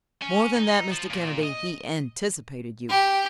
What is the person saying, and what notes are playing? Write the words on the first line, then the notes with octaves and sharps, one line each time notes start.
More than that, Mr. Kennedy, he anticipated you.
C#4
D#4
F3
A#2
D#5
G4